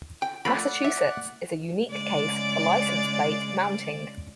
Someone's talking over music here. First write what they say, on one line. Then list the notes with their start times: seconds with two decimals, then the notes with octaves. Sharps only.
Massachusetts is a unique case for license plate mounting.
0.22 G5
0.45 A3 F4 A#4 D5 F#5 B5
0.84 E5
1.90 C#3 G#3 D5